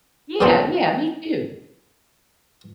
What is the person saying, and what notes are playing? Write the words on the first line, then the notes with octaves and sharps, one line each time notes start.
Yeah, yeah. Me too.
E2 A#2 F#3 C5 A5 B5